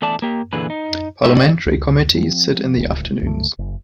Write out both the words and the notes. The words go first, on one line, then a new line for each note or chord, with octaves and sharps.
Parliamentary committees sit in the afternoons.
E2 A3 D5 A5
A#3 G4
A#2 D3 E3 G#4 B4
D#4
G#3 C4 D#4 G4 E5
D5 D#5
C#2
F3 C4
D1 C#2
C#2 G2 D3 A3
F#1